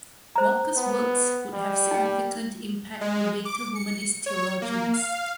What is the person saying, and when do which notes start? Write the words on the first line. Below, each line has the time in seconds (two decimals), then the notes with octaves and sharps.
Walker's works would have significant impact on later womanist theologians.
0.36 C5 A#5
0.77 B3
1.54 G3
1.91 D#4 G5
3.01 G#3
3.45 D6
3.75 C#7
4.26 C#5
4.62 A#3
4.93 F5